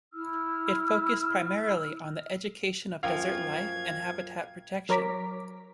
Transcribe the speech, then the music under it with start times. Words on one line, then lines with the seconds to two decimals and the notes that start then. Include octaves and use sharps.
It focused primarily on the education of desert life and habitat protection.
0.13 E4 E6 F6
3.03 F#2 F3 A#3 F5 G5 G#6
4.89 F#3 A#4 C#5 A#5 D6 B6